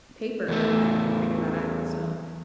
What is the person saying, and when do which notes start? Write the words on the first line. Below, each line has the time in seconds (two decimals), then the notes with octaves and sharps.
paper and, like, figure that out." So
0.48 E2 A3